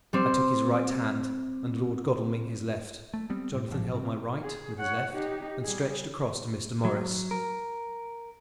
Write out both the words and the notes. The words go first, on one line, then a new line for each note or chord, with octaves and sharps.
I took his right hand, and Lord Godalming his left; Jonathan held my right with his left and stretched across to Mr. Morris.
G3 C4 C6
A3
G3 B3 C4
A2
A1 G#2 F3 G3
G#2 C3 C4
G#4
C#5 F#5
D#4 G4
G3 G#4
F#3
A#4